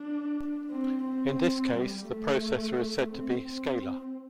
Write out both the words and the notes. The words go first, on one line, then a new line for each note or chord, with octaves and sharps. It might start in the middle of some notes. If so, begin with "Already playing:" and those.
In this case, the processor is said to be "scalar".
Already playing: D4
C4
C4
G3
A3
C4
C4